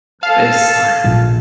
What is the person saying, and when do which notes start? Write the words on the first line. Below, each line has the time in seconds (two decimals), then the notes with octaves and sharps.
it's like
0.23 A4 F5 A5
1.04 A#1